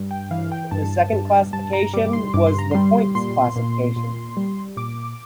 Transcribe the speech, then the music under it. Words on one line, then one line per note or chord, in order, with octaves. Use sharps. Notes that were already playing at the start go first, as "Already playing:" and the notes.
The second classification was the points classification.
Already playing: G2
G5
E3 F5
G5
G2 A5
G2
G2 A5
A#5
G3 D6
C6
G2 D6
C6
A#5
G3 C6
A#2 C6
A#2
A#2
G3
A#2 D6